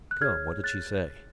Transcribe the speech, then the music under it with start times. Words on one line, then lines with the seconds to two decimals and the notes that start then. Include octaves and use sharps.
"Come, what did she say?"
0.11 F#6
0.21 G#4 C#5 F6 G#6
0.64 F#6 A6